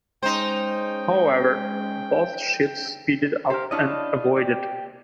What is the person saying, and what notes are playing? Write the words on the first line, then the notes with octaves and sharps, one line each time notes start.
However, both ships speeded up and avoided.
G#3 C#4 D#4 C5 G5
G4 A#4 C5
D4 E4 C#5 D#5 F5 A5
G4 D5